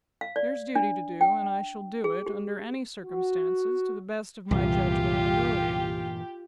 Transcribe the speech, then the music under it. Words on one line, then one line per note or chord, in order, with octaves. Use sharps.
There's duty to do, and I shall do it, under any circumstances; to the best of my judgment and ability.'
F5
D5
D4
G5
G#4
G4
F#4
C2 G2 A#2 E3 F4 G4